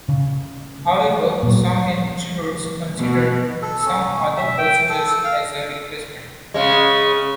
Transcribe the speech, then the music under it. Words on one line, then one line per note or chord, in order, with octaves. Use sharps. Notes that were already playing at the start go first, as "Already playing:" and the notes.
However, some institutes considered some other procedures as a replacement.
C#3
A#2 F#3
B2
A4
C#4
E5
G5
A4
F5
C#3 G#3